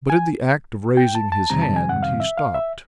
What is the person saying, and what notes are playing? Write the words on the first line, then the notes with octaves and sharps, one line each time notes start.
But in the act of raising his hand he stopped.
G#5
G5
A5
A5
F2 C3 D#3 G3 C4 A#5
A5
G#5
F#5
F5
E5
F5
E5